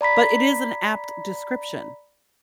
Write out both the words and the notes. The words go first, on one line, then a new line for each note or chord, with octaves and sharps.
but it is an apt description,
D5 A#5 B5 B6